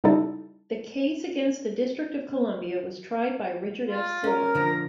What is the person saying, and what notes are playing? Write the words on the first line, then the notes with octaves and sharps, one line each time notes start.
The case against the District of Columbia was tried by Richard F. Silber.
C#3 G3 D#4 E4 A4 A5
F4
C#4 A#4
D3 F3 A#5